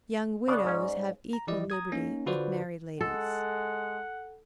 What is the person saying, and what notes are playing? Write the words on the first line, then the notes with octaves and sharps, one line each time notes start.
Young widows have equal liberty with married ladies.
C#3 B3 D4 D5
G#2 C#4
A#5
E3 F3 E4 G4 D5 D#5
A#5 D#6 G#6
A#3 C#4 D#4
D3 F4 F#4 B4 C5 D5
G#3 A4 F#5